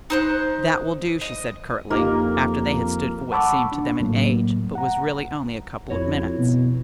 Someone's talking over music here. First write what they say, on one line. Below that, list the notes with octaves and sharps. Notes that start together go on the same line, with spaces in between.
"That will do," she said curtly, after they had stood for what seemed to them an age, but was really only a couple of minutes.
D#4 C5 F#6
D#5
F2 A#3 D#4 F4 G4
F#5 A5 B5 C#6 D6 E6
D4
A2 F#3 A#3
F#5 A#5
F2 E4 F#4 C#5
B2